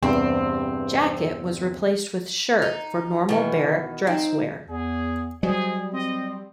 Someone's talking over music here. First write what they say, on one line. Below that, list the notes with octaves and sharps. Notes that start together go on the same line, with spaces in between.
Jacket was replaced with shirt for normal barrack dress wear.
E2 G2 C3 C4
D#4
B2 D#3 E3
C4 D#4
E2 G#4
F#3 G3 G#4 C5 D#5
C4 D#5